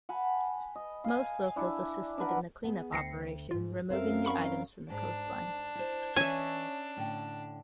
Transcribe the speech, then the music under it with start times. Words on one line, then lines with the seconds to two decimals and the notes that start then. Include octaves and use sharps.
Most locals assisted in the clean-up operation, removing the items from the coastline.
0.09 F#5 G#5 A5 B5
0.75 D#5
1.04 F5 G#5
1.56 D4 E4
2.18 D4 A#4 B4 F#5
2.64 B3 G#4
2.93 D2 G5 A#6 C7 C#7
3.51 D2 G#2 F4
3.90 F#2 C4 A4 A#4 E5 F5
4.25 F#5 B5 C#6
4.90 G#2 D4 A#5
5.75 E4 C5
6.16 E3 C#4 C#5 D#5 E5 G#5
6.97 A2 D3 G5